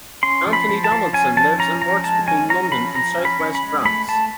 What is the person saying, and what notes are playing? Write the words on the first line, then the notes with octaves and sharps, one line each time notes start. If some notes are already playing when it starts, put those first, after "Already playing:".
Antony Donaldson lives and works between London and southwest France.
C#4 C6
F3
B5
F3
A5
F3
C#4 G#5
F3 A5
C#4 A#5
F3 A#5
G#3 A5
C#4 G#5
C#4 A#5
F3 B5
F3 A#5
C#4
B5
C#4
B5
G#3
A3 B5
A3 A5